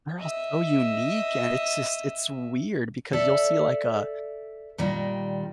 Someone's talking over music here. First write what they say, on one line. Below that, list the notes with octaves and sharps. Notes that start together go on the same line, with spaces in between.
they're all so unique, and it's just it's weird because you'll see, like, a
D#5 E5
A4 D5 E5
A#2 D#3 G3